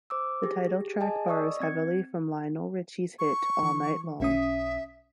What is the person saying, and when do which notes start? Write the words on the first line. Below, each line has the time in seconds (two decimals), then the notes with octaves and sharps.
The title track borrows heavily from Lionel Ritchie's hit All Night Long.
0.10 C5 D6 E6
0.44 G4 G#4 A#6
1.00 G#4 D#5 G#5 A5
1.28 D5 D#5 C#6 D#6 E6
1.60 C4 G#6 C#7
3.19 C#6
3.63 E3
4.20 B1 C#4 E5 D#6